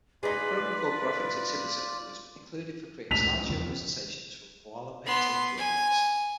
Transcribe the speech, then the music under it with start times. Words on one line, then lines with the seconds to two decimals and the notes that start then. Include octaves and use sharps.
A program called "Graphics Exhibitor" was included for creating slideshow presentations from KoalaPainter drawings.
0.23 D#4 F4 G#4 B4 D5
3.11 C#2 A2 C#3 B6 F7
3.50 E2 C#3 F3
5.06 B3 C6
5.57 G#5